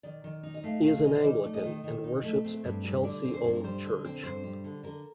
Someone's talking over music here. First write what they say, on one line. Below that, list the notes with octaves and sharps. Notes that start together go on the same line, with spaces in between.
He is an Anglican and worships at Chelsea Old Church.
D#3 D5
D#3
D#4
D#5
A3 F5
D#3 F5
D#3 D#5
C5
D#4 D5
A3
D#5
D#3
D#3
D#4
A3
C4
G2
G3
D3 D5
C4
C5
G2
A#4
G3 C5
D3
C4
G2 C5
G3
D3
D3 A#4